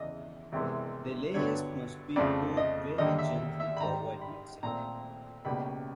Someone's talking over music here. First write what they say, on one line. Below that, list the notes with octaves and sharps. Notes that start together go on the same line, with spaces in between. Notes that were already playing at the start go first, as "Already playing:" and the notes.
The layers must be poured very gently to avoid mixing.
Already playing: E2 C#3 E3 D#5
C2 C3 E3 G#3 B3
G2 D3 F#3 B3 C#5
F2 C#3 F3 A3 D5
D#5
D#2 D3 G3 A#3 D#5
E5
E5
B5
G#2 D#3 G3 A#5
B5
A#2 F3 A3 C4 A#5
C#2 B2 G3 A#3 B5